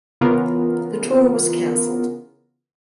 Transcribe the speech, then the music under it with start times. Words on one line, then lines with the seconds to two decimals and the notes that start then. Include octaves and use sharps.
The tour was cancelled.
0.21 C#3 E3 B3 F4 A#4